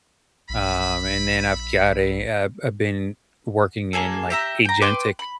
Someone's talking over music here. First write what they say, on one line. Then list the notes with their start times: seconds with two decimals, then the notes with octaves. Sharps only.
um, and then I've got a, uh I've been working in, like, agentic,
0.49 A#1 E5 B5
3.93 A#3 C4 G#4 A4
4.30 G4 E5 A#5
4.65 G5 A#5
4.82 B4 G5 C6 D6
5.19 B5